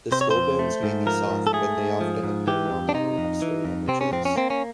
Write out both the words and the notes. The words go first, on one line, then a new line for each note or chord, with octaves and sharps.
The skull bones may be soft, but they often appear normal on X-ray images.
C3 C5
C#5
C5
F2
A3
G#2
F3 A#4
G#2
A4
A3 G#4
G#2
F3
G#2
E3 G4
F2
D4
C3 D#4
F2
E3
F2
C3 C4
C#4
F2 C4
C#4
A#3 C4
C#4